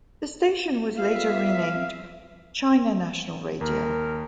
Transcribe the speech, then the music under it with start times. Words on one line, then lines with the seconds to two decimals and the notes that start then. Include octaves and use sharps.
The station was later renamed China National Radio.
0.98 G3 B3 F4 E5 F5
3.61 D#2 A#4